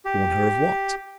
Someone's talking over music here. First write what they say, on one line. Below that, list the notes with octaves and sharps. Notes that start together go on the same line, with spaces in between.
Warn her of what?
G4